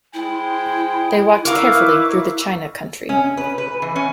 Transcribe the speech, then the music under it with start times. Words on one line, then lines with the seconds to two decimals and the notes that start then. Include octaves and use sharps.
They walked carefully through the china country.
0.14 G#3 E4 C5 G5
1.45 D#4 E4 A#4 B4 F5 C#6 D6
3.09 C#4
3.37 B4
3.58 B4
3.82 E3
3.96 C#4